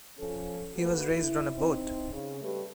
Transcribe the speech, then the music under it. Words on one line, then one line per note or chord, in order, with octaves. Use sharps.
He was raised on a boat.
F3 C#4 A4
A3 A#3 F#4 B4
E4
C4 D#4
C#3
G3 A3 G4 B4